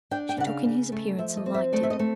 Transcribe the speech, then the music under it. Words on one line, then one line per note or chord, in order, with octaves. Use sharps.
She took in his appearance and liked it.
D4 G5
G5
C#3 F#5
F5
C#3
A3
F3 E5
D#5
C4
E5
A3 D5
E5
D#5
A3